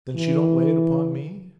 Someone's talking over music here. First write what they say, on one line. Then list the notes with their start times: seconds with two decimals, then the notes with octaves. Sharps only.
Then she don't lay it upon me?
0.16 E3